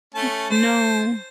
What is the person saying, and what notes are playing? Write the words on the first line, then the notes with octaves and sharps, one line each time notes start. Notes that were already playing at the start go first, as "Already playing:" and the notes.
Oh, no.
A3 C#4 A5
C5